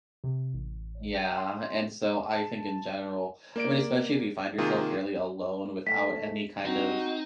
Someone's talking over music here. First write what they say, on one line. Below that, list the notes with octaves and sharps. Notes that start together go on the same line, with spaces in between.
Yeah, and so I think in general I mean, especially if you find yourself really alone without any kind of
C3
A1
G5
C6
A5
A#3 D5 D7
C3 D#3 A#3 F4 G#4
A3 B6
C4 D#4 F#4